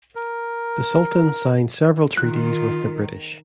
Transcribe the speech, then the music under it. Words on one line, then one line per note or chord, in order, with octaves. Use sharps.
The Sultan signed several treaties with the British.
A#4
D#3 F4 F#6